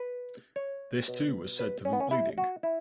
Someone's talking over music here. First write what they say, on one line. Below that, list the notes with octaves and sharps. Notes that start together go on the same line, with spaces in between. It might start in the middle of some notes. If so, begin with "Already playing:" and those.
This too was said to be bleeding.
Already playing: B4
C#5
B2
B4
C#4
B3
C#4
E4
F#4
E4